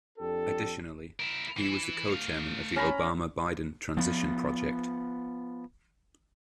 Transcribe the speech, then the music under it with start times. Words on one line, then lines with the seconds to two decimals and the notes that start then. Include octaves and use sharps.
Additionally, he was a co-chairman of the Obama-Biden Transition Project.
0.19 F2 D4 G4 A4
1.20 E4 A#4
1.57 E3 E4
2.09 A3 F5
2.76 C#4 A#5 B5
3.97 F3 B3